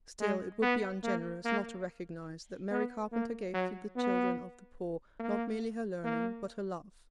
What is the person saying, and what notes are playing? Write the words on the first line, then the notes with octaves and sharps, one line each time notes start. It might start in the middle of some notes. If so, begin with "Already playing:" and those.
Still, it would be ungenerous not to recognise that Mary Carpenter gave to the children of the poor not merely her learning, but her love.
G#3
B3
A#3
A#3
B3
A#3
F#3
B3
A#3
A#3